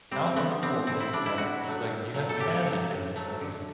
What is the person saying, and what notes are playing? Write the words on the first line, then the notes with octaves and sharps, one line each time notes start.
how helpful is that? 'Cause, like, you ha we have the gym equipment,
G3 C4
C4
D3 B3
G3 C4
D3 C4
E4
G3 D4
E4
A2 F#4
F#3 A3
A2
F#3 A3
A4
A2 G4
F#3 A3
A2
F#3 A3
D3